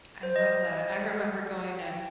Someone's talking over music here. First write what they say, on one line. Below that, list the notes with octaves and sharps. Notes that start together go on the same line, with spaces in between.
I love that. I remember going to,
C5
D#5
D#5
F#5
G5